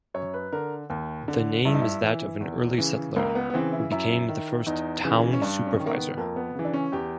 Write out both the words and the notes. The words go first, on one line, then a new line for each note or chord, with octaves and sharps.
The name is that of an early settler, who became the first Town Supervisor.
F#2 C#5
B4
D3 A#4
D#2
D3
G2 E4
D#4
E4
E3
E2
C#3 E3
C#2 A#3
B3
B3
C#3 E3 C4
E4
F#2 E4
D#3
E2 D#4
C#3 E3
C#4
G2 D4
C#4
D#3
A#3
B3
F2 A#3
B3
C#3 E3
D4
C#4
E2 G4